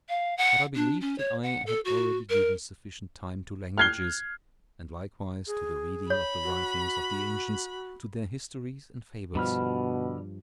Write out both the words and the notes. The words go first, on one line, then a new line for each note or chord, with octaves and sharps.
But I believed that I had already given sufficient time to languages, and likewise to the reading of the writings of the ancients, to their histories and fables.
F5
F#5
D4
C#4
C#5
F#5
A4
F#4
A#4
F6 F#6 G#6 C7 G7
G#4
C#5 B5
F#4
G2 B2 D3 F3 B5 F6